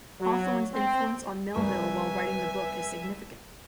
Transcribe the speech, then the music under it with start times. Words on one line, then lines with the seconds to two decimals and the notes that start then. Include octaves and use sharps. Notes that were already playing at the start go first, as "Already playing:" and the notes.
Hawthorne's influence on Melville while writing the book is significant.
0.20 F#3
0.73 C4
1.54 C2 A#4 B4 E5 G#5 C#6